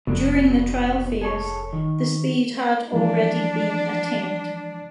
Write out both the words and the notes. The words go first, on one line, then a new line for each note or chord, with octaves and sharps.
During the trial phase, the speed had already been attained.
F1 B2 D3
G#4 A4 C#5
D#3
E3 F3 G#3 D4